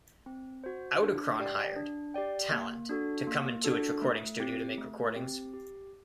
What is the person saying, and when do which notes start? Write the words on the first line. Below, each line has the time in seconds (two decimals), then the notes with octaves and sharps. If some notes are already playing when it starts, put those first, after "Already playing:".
Audichron hired "talent" to come into its recording studio to make recordings.
0.26 C4
0.64 F#4 C5
1.02 D4
1.40 G4 D5 G5
1.76 D4
2.14 G4 D5 G5
2.51 A#3
2.89 D4 F#4 A4
3.27 A#3
3.64 D4 F#4 A4
4.02 A3
4.40 C4 G4
4.78 A3
5.16 C4 G4
5.54 G4